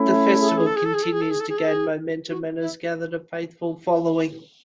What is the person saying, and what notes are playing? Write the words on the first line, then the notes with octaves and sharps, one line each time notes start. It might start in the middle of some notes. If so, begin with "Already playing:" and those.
The festival continues to gain momentum and has gathered a faithful following.
Already playing: A3 C#4 E4
G#4
A4
G#4
A4
G#4
A4
G#4
A4
G#4
A4
G#4
A4
G#4
A4
G#4
F#4
E4